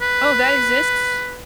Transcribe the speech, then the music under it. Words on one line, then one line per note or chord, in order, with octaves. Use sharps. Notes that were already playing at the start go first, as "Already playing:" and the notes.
Oh, that exists?
B4